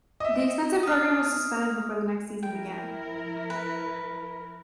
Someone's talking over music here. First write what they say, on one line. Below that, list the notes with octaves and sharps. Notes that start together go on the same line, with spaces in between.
The expensive program was suspended before the next season began.
D#5 E5
D#6 F6
F3 E4 A#4 G5
B4